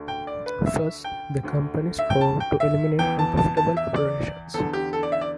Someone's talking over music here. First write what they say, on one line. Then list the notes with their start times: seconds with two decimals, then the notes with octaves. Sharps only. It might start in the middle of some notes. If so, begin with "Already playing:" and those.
First, the company strove to eliminate unprofitable operations.
Already playing: D2 D3
0.08 G5
0.27 D5
0.46 B4
0.66 E5
1.04 G5
1.43 D2 D3
1.99 E5
2.10 G5
2.21 A5
2.40 G5
2.60 E5
2.99 E2 E3 G5
3.19 A5
3.37 A5
3.57 A5
3.77 E5
3.96 D5
4.54 E2 D3 A4
4.73 G4
4.93 A4
5.03 D5
5.12 E5
5.21 D5